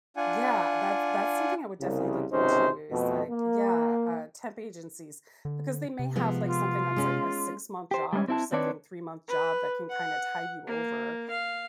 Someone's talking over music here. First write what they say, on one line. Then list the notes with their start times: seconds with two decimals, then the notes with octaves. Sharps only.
yeah, that's that's something I would definitely look into is like, yeah, uh, temp agencies, because they may have like something that's like a six-month job or something three-month job that can kinda tide you over
0.17 D4 F4 F#5 G#5
1.81 C2 C#3
2.32 G#1 C#2 C3 C#4 D#4 C5
2.91 F2 B2 A3
3.30 A#3
5.45 D3
5.99 C3
6.16 F3 G#3 B3
6.46 F4
6.96 G#3 C#4
7.91 G4 C5
8.13 G3 G#3 A#3 C#4
8.28 C4 E4 A5
8.52 D#3 C4 D4 B4 C#5 D5
9.28 B4
9.90 F#5
10.67 A#3
11.30 F5